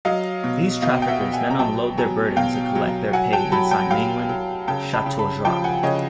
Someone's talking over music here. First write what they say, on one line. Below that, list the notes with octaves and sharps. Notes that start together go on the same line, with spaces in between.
These traffickers then unload their burden to collect their pay inside mainland Shatoujiao.
F#3 D#5 F5
B2
B2 D#5 F5
G5
E5 F#5
B2
F#5 G#5
A#5
F#3 G5 A5
F#3 G#5 A#5
B2 F5 G5
F#3
F#3 F#5 G#5
G5 A5
F#3 A5 B5
G5 A5
F#3 F5 G5
F#3
C#3 G5 A5
A5 B5
C#3
A5 B5
F3 G5 A5
F#5 G#5
C#3 C#5 D#5